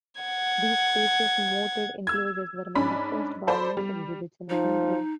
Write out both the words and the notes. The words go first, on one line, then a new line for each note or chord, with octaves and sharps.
These spacious, moated enclosures were among the first bar-less exhibits in the country.
F#5 G#6
E6 G#6
G#2 C#4 D4 B5 B6
A4 C5 D5 B5
G3
F3 D#4